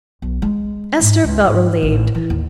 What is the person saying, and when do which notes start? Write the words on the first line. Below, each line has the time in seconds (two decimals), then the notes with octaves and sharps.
Esther felt relieved.
0.22 B1
0.42 G#3
1.00 G#2
1.24 C#2
1.45 G#2
1.83 A1
2.15 E3
2.30 D#2